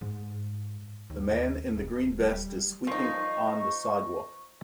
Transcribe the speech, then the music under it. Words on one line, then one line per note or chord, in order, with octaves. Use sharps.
The man in the green vest is sweeping on the sidewalk.
G#2
D#2
D#1
G3
F3 D#4 C#6